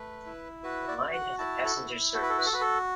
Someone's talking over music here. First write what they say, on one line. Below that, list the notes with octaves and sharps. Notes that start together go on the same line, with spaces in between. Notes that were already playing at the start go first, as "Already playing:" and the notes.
The line has a passenger service.
Already playing: A3 B4
E4
F#4 B4
D5
F#4
F#5
E4 A5
A4
E4
F#4 A4
B4
A4
B4
A4
F#4 B4
A4